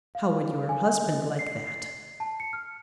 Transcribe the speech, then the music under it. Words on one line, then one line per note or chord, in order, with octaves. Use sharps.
"How would your husband like that?"
F5
G#5
D#5
C7
C7
A5
C#7
F6